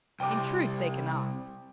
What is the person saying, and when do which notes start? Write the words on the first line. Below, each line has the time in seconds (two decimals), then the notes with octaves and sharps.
In truth they cannot.
0.20 C2 C3 G5 D6